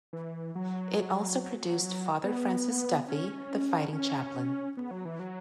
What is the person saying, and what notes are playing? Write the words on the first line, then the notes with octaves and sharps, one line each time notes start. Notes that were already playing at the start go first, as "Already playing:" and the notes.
It also produced Father Francis Duffy, "The Fighting Chaplain".
E3
F#3
B3
C#4
C#4
B3
F#3
E3
F#3